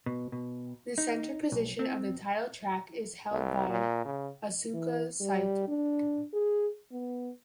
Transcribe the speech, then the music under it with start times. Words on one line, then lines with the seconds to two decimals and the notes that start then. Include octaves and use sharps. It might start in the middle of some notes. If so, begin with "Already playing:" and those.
The center position of the title track is held by Asuka Saito.
0.06 B2
0.32 B2
0.98 D#4
1.52 B1
1.79 C4
3.31 C2
3.69 A#2
4.05 C#3
4.74 E3
5.21 G3
5.68 D4
6.33 G#4
6.92 B3